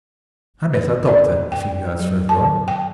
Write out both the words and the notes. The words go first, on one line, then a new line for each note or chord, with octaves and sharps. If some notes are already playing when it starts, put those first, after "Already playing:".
I met our doctor a few yards further on.
B4
D5
G5
F#3
A5
G5